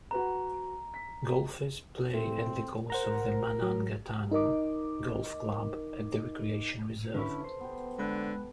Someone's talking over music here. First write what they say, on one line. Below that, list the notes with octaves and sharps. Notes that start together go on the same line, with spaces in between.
Golfers play at the course of the Manangatang Golf Club at the Recreation Reserve.
F#4 B4 A#5
B6
A2 A3 C4
A#4 C5 F#5 A#5
F#3
D#4 A#4 D#5 D6
D3 C#4 E4 A4 B4
C5
B3 G4
D3 G#3 B5 F#6